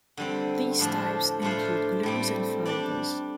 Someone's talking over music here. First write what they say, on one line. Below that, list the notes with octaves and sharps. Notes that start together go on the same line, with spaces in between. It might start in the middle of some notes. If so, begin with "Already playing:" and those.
These types include glues and fibers.
D3 G3 C4
A2 F3 D4 F4 C5
A2 A3 D4 F4 C5
A2 G3 C4
G3 D4 G4 D5